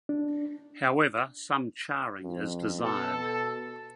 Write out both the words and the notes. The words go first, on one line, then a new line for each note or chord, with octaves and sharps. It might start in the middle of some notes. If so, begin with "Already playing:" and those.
However, some charring is desired.
D4
F2
B2 A4